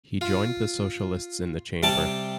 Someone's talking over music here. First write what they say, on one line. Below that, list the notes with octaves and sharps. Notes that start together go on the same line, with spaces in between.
He joined the Socialists in the chamber.
F4
C3 G3 D5 A5